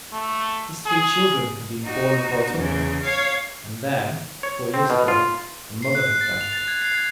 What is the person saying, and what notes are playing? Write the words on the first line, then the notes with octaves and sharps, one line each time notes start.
His three children had been born and brought up there, and there, four years ago, the mother had died.
A3
G#4
D#4 F#4
E2 C#3
C#5 F5
C#5
C4
B2
F4
C7
F#6
F#6
A6
F7
A6
G#6
C7
G#6